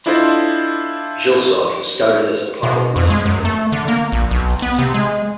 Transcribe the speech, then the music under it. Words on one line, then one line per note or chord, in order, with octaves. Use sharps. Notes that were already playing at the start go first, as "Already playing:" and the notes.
Gilsoft was started as a pocket money company.
D4 E4 F4 A4 C5 D#5
B2
F2
G#3
F#2
A3
D3
A#3
A#1
B1
B3
C3
G#3